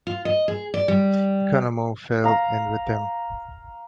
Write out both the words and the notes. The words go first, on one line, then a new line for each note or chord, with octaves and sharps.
Economou fell in with them.
F4
D#5
G#4
D5
G3
F5 A#5